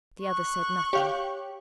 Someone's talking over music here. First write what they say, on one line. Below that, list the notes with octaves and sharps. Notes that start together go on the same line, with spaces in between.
The other said nothing.
C#6 F#6
G4 C#5 F5 G5